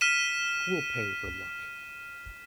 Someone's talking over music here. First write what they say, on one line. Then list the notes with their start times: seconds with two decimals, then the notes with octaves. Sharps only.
Who will pay for Luck?
0.01 F6 B6 D#7 E7